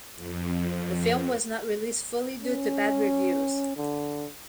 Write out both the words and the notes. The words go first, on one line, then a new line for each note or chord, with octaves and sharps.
The film was not released fully due to bad reviews.
F2
C#4
D3